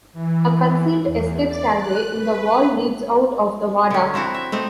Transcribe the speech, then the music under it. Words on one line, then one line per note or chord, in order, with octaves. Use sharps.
A concealed escape stairway in the wall leads out of the Wada.
E3
E2
D5
F#6
B4
D3 C#4
F3 C4 E4 F#4
E5
A3 C4 D#4